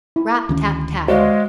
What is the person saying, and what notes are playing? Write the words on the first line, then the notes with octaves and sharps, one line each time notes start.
Rap! tap! tap!
E4
D2 D#3 C#4
G#3 F#4 C5 D5 F5